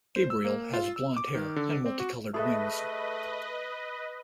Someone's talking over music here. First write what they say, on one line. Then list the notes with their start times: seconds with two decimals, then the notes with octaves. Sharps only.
Gabriel has blond hair and multicoloured wings.
0.16 C5
0.30 E6
0.44 A#3
0.73 F4
0.96 E6
1.17 D6
1.34 D#3
1.56 D3
1.86 C4
2.00 F#4
2.34 A3 G#4 A4 B4 D#5 E5